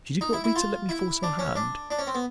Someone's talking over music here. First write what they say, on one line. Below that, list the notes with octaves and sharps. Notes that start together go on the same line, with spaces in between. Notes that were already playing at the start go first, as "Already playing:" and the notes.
She did not wait to let me force her hand.
D#4
E4
E4
F4
E4
D4
C#4
D4
D4
C#4
C4
B3